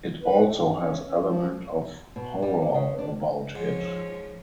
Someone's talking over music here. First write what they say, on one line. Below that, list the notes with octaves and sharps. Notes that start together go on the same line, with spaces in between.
It also has element of horror about it.
B4
A3
G2
C#4
C#4
F3
B2
G3
A#3
C#3
D4
G#2 F3 C#5